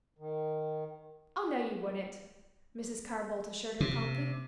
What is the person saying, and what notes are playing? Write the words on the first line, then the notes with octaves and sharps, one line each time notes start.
"Oh, no, you wouldn't," Mrs. Carr-Boldt assured her promptly.
D#3
C3